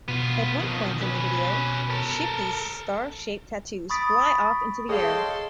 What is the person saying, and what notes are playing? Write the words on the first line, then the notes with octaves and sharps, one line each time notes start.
At one point in the video, Shifty's star-shaped tattoos fly off into the air.
B2 B3 F4
F2 D#3
C#4 B4
A4 A#4
B5 C#6 D#6 A6 B6 D7
G#4 A4 C#5 D#5 F5 G5 C6 D#6